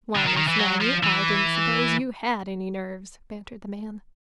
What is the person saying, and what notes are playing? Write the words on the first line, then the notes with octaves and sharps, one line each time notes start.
"Why, Miss Maggie, I didn't suppose you HAD any nerves," bantered the man.
D3
D#3
D#3
E3
F#3
F3
E3